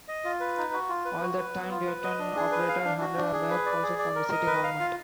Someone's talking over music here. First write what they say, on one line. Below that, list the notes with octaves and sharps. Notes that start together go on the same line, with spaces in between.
At that time Dayton operated under a mayor-council form of city government.
D#5
F4
B4
D#4
F#4
F4
B4
F#4
B4
B3
F4
B4
D#5
D4
G#4
B4
F5
D4
F#4
D4
G#4
B4
D5
G#4
D5
A#4
D#5
B4
F5
F4